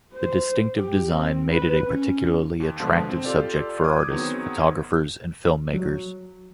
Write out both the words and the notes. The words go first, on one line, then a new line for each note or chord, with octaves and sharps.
The distinctive design made it a particularly attractive subject for artists, photographers and film-makers.
C5
G4
C4
B4
C#4
D#2
B2 D3 F3 G#3 D4 F4
C4
F4 G4 A4 D5
D6 D#6 G#6
D#3 F#3 B3 C4 G#4
F#3